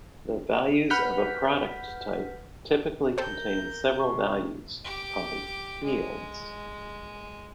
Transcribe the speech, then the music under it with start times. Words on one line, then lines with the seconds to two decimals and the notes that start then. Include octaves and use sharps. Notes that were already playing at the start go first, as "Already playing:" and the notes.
The values of a product type typically contain several values, called "fields".
0.90 B4 F#5 F6 G6 B6
3.18 G4 A4 A#4 C5 G6
3.99 C3 C#6
4.84 G4 D6
5.83 G#3